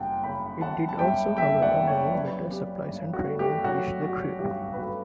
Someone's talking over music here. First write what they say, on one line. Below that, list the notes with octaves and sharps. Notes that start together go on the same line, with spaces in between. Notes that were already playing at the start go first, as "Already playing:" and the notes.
It did also, however, mean better supplies and training reached the crew.
Already playing: F#1 F#2 G3 F#5 G5 A5
C#3 G5 B5
F#2 F#5 A5
A5
G3 E5 G5
F#1 E5 G5
D5 F#5
C#3
C#5 E5
F#3 B4 D5
C#4 G4
G2
F#4
A3
G4
F#3 F#4
C#4 F#4
G2 G4
B4
A3 F#4 A4